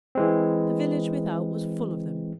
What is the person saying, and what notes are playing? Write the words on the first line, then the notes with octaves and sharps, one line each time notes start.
The village without was full of them.
E3 G#3 C4